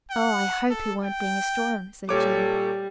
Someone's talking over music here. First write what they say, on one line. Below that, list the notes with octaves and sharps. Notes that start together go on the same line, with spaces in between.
"Oh, I hope he won't bring a storm," said Jean.
F#5
A4
G5
A#2 G3 A4 C#5 D6